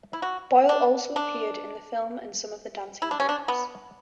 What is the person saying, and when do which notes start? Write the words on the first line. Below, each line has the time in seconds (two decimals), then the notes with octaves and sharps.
Boyle also appeared in the film in some of the dancing groups.
0.13 E4
0.22 F#4
0.69 D4
1.16 D4
3.02 E4
3.11 D4
3.20 C#4
3.29 D4
3.48 B3